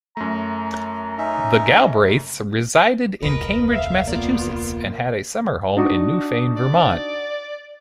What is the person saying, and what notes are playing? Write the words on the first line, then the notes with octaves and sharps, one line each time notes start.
The Galbraiths resided in Cambridge, Massachusetts, and had a summer home in Newfane, Vermont.
F#2 A3 A#5
C#4 D#4 E5
E1 C#2 B2 A#4 B4 D#5
A4 E5 F5
A#3 B3 F4 D5
D4 D#4 F#4
D5